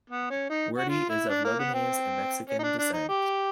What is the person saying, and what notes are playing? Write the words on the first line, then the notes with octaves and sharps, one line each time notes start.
Wardy is of Lebanese and Mexican descent.
B3
C#4
D#4
F#4
F4
E4
D4
A#3
B3
C4
C#4
D#4
D4
D4
D#4
G4